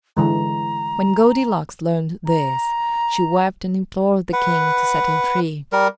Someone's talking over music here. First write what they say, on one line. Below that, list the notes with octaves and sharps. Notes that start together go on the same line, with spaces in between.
When Goldilocks learned this, she wept and implored the King to set him free.
D3 E3 G#3 A#5
A#5
B4 F#5
G3 A#4